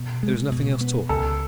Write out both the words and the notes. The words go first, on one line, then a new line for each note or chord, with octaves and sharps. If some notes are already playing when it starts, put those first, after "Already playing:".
There is nothing else taught.
Already playing: B2
G#3
B2
B3
C#2 A4